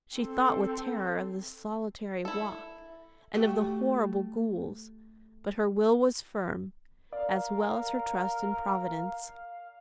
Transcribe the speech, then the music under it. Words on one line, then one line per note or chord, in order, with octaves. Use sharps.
She thought with terror of the solitary walk, and of the horrible ghouls, but her will was firm, as well as her trust in Providence.
C4 A4
E4 A4
A3 F#4 G4
A#4 D5 F5